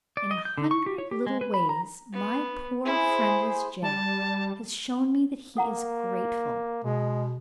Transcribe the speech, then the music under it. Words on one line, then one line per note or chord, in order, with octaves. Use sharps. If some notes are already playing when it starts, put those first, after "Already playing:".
In a hundred little ways my poor friendless Jack has shown me that he is grateful.
D5
D#5
G6
D3
C#6
G4
C#5
G4
G#3
B4
B5
A#5
B3
E4 G#4 C5
G3 A5
A#3 A4 F#5 A#5
B2 G#3